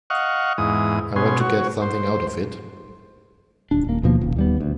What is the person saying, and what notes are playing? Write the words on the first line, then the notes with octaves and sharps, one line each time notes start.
I want to get something out of it.
D#5 F5 F#5 C#6
E2 G#2 D#6
B2 C#4 G#4 C6
F#4 C#5
C5
D#1 D4
D#1 A#3
D#2 B2 F3 A#3
D#1
D#2 G3 B3
D2